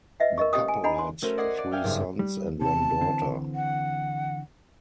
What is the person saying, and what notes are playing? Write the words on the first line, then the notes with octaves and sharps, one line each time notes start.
The couple had three sons and one daughter.
B4 D#5 E5 F#5
A#4 D#5 C#6
C#4 G4 D#5 G5 D#6
G#5
D4 D#5 F#5 G#5 A#5 B5
G#5 C6
A3 C#4 F#4 A#4 C5
D5 D#5 F#5 F#6 G#6 C7
D5 A5
E5 F5 G5 G#5 F6
F#1 G2 C4
G3
C3 A5
D3 E3 C4
F#5